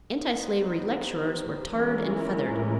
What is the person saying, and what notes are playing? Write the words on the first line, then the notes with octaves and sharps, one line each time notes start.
Anti-slavery lecturers were tarred and feathered.
B3 D#4 G4 C5
E3 G#3 C#4 F4 A#4
A2